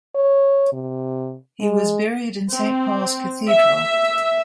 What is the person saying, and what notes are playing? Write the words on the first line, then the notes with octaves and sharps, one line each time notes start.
He was buried in Saint Paul's Cathedral.
C#5
C3
G#3
C4
E5